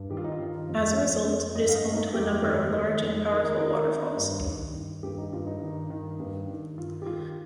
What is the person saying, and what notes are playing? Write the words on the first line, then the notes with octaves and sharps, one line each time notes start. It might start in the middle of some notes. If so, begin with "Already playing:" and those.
As a result, it is home to a number of large and powerful waterfalls.
Already playing: G2
D#3 G4
F4
D#4
F4
D#3
F2
F2
F2
G2 D#5
F5
D#5
G2
D#4
F2 G4
D#3
D#3
F2
D#3 A#4
A#4
D#3 A#4
A#4
D#3
G2
D#3
D#3
G2 G4
D#4
G2 F4
D#4
D#3
D#3
G2
D#3
D#3 F4
G4
D#3 F4